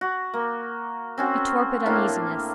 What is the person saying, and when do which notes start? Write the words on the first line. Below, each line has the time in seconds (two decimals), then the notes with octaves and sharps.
A torpid uneasiness.
0.01 F#4
0.34 A#3
1.18 C4 C#4 F#4
1.86 A2 A#3 D4 F5